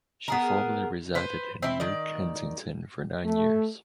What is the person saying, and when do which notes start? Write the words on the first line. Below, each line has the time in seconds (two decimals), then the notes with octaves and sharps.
She formerly resided in New Kensington for nine years.
0.28 B3 G#4 A#4
1.15 B4 C5
1.62 C4 E4
1.80 D#3 D5
3.25 A3